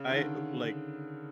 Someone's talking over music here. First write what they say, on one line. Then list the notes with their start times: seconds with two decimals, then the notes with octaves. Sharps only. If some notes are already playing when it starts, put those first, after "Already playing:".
I, uh, like,
Already playing: C#3
0.11 D3
0.16 D#3